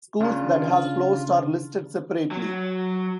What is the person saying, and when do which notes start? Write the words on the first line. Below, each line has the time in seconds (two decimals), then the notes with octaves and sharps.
Schools that have closed are listed separately.
0.20 C#3 D4 F4
2.31 F#3